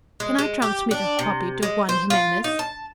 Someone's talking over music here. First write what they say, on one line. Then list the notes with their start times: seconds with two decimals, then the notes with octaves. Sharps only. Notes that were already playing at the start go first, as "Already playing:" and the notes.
Can I transmit a copy to Juan Jimenez?
0.20 G#3
0.38 G#3
0.62 G4
0.91 D4
1.19 C3
1.63 G#3
1.89 C5
2.10 F4
2.44 D#4
2.59 A5